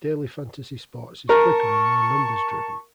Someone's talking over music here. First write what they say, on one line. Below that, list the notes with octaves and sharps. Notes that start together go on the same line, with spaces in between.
Daily fantasy sports is quicker and more numbers-driven.
A#4 A5 C#6